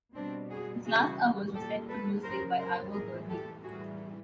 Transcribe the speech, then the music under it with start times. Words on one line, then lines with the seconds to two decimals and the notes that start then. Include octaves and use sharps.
His "Last Hours" was set to music by Ivor Gurney.
0.14 B2 G3 C4 D4
0.50 F#4 G#4
0.84 C#3 E3 G3 F#4 G#4
1.54 A#2 G3 G4 A4
1.89 A4 B4
2.23 C#3 F#3 A#4 C5
2.58 A#4 C5
2.94 A2 E3 G3 G#4 A#4
3.29 G4 A4
3.63 A2 E3 G3 F#4 G#4